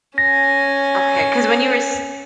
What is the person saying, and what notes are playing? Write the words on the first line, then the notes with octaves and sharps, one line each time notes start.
Okay, 'cause when you were s
C#4 G#5 A#6